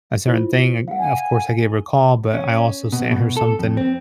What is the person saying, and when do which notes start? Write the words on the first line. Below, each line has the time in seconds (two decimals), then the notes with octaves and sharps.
a certain thing, o of course, I gave her a call, but I also sent her something,
0.27 E4 F4 C5
0.88 F5 F#5
0.99 G#5
2.34 C#4
2.92 B2
3.11 B2
3.37 A4
3.59 F2
3.77 C4